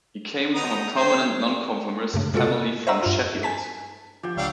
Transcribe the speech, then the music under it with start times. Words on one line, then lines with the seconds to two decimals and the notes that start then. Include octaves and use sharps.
He came from a prominent nonconformist family from Sheffield.
0.55 B3 D#4 A#5 D#6
0.97 C5 C#5 G5
2.14 G2 C#3 A3
2.34 C3 G#3 F4 F#4 A4 C#7
2.87 C5 D#5 E5 F#5 A#5 E6
3.03 G2 F4
3.43 G#5 A5 B6
4.23 F3 G4 G5
4.37 C#2 F#3 G3 D4 F5 E6